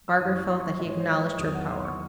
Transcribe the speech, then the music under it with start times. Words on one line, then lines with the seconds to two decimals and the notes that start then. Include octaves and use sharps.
Margaret felt that he acknowledged her power.
0.08 E6
0.20 F#2 E3 D#6
0.35 C#6
0.49 C6
0.60 C#6
0.70 C6
0.79 G#2 E3 D#5
0.89 C#5
1.00 C5
1.09 C#5
1.20 D#5
1.29 C#6
1.39 E2 D#3 F#3 D#6
1.54 F#5
1.69 C6
1.84 C#6